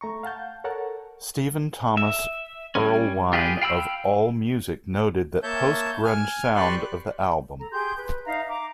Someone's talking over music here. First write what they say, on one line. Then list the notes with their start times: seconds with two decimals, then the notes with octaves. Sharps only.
Stephen Thomas Erlewine of AllMusic noted the post-grunge sound of the album.
0.01 A3 A#5 C#6
0.23 F5 F#5 A5 G6
0.64 A4 A#4 C#5 F#5 A5
1.97 E5
2.75 G3 C#4
3.33 F4 G4 G#4 B4
3.62 F5 G5 B5 E6
5.43 A#3 C#5 E5 A5 G6
6.04 G#5 F6
6.55 G4 B4 D5 C6 C#6 F#6
7.59 A4 A#5
7.71 G4 G#4 C6 G6
7.98 B4
8.26 D#4 E5 F5 A#5
8.48 A#5 D6